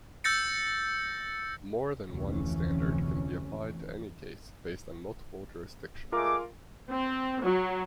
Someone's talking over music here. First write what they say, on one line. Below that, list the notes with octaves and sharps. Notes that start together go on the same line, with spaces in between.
More than one standard can be applied to any case based on multiple jurisdictions.
E6 G6 A6 A#6 C#7
F1 D2 C3 E3 C#4
G#3 A3 F4 A#4 F5 D6
C4
F#3